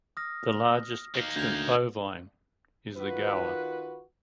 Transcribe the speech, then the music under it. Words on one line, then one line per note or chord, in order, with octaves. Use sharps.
The largest extant bovine is the gaur.
D#6 F6 A#6
D#3 A#3
D2 G6 G#6 F7
D#3 F4 F#4 B4